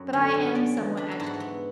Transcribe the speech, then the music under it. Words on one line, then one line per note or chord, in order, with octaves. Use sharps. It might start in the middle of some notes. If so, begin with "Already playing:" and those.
But I am somewhat agitated.
Already playing: F#2
D3
D3
C#4 D5
E2
D4 B4
A4
G#2 E4
F#4
B3